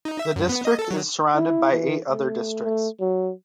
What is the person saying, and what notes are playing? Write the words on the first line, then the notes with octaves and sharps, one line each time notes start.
The district is surrounded by eight other districts.
D#4
E5
F#2
B3
D#5
A4
F#3
E4
E3
A3
A3
F#3